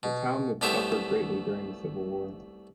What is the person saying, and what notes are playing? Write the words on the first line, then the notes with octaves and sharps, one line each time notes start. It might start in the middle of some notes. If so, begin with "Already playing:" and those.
The town would suffer greatly during the Civil War.
B2
C2 A3 B3 G4 C5 E5